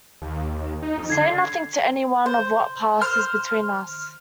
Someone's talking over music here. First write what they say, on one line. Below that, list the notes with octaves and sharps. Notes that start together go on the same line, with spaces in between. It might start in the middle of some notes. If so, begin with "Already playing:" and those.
Say nothing to any one of what passes between us.
D#2
D#4
F2
D3 G#6 C7
C5
C5 F6